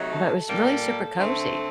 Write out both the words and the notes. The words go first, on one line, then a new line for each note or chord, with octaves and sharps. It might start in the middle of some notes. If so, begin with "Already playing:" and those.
but, it was really super cozy
Already playing: C3 F#3 A3 D#4
A4
A#2 G3 A#3
D3 A3 C4